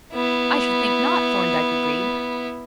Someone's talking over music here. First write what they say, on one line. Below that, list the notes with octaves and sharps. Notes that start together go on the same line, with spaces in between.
"I should think not," Thorndyke agreed.
B3 E4